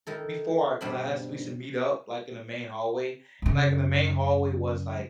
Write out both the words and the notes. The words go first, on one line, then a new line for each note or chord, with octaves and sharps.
before our class, we used to meet up, like, in the main hallway, and, like, in the main hallway was, like,
D#3 E4 A4
G2 B2 G3 C4 D4 B5
F#2 C#3